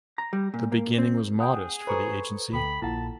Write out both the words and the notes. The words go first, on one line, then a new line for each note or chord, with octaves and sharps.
The beginning was modest for the agency.
A#5
G3
A#2
A#3
C4
G#4 F#5 G5 D#6
A4 B4 C5 A#5 C6 C#6
D2 A4 G5 B5
A#1 A#2 E4 F4 F#5 A5